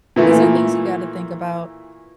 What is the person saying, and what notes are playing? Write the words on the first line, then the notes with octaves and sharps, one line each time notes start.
these are things you gotta think about.
A#2 E3 A3